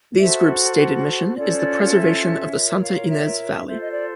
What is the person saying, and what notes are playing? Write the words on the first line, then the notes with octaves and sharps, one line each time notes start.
These groups' stated mission is the preservation of the Santa Ynez Valley.
F#4 A4 C5 E5
C#4 F4 A4 C5 D5
E5
F4 A#4 C#5
F5
E5
F4 A4 C5 E5
D#5
D5